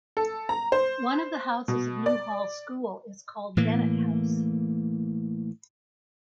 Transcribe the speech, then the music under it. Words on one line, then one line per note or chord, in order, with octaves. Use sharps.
One the houses of New Hall School is called Dennett House.
A4
A#5
C5
B2
D5
A2 E3 A#3